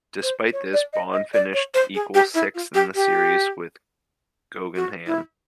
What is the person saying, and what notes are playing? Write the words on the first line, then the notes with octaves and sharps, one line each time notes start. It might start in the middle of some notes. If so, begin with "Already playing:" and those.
Despite this, Bond finished equal sixth in the series with Geoghegan.
C5
C#5
D5
D#5
D#5
D5
C#5
C5
G#4
G4
E4
F4
G4
G4
F#4
E4